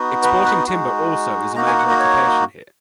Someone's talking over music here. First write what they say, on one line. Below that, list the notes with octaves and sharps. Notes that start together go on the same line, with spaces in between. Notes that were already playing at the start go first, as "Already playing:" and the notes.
Exporting timber also is a major occupation here.
Already playing: B3 D#4 F#4
B4
B4
G#3 D#4 F#4
A#3 D#4 F#4 A#5
G#5
F#5
D#5
C#5